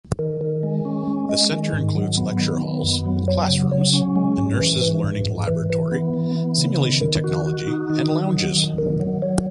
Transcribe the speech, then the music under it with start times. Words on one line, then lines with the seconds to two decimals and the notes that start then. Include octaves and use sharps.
The Center includes lecture halls, classrooms, a nurses' learning laboratory, simulation technology, and lounges.
0.19 D#3
0.41 D#3
0.63 G#3
0.85 C#4
1.07 G#3
1.29 G#3
1.52 D#3
1.73 G#2
1.95 F#3
2.18 B3
2.39 D#3
2.62 B3
2.84 F#2
3.06 F#3
3.28 F#3
3.49 C#3
3.72 F#3
3.93 C#4
4.16 G#3
4.38 G#2
4.60 E3
4.81 E3
5.04 G#2
5.26 G#2
5.48 E3
5.70 E3
5.92 B3
6.14 E3
6.36 B3
6.58 C#3
6.80 D#3
7.01 D#3
7.24 F#4
7.46 F#4
7.68 D#4
7.90 D#3
8.12 D#3
8.34 F#3
8.56 D#3
8.78 D#3
9.00 F#3
9.22 F#3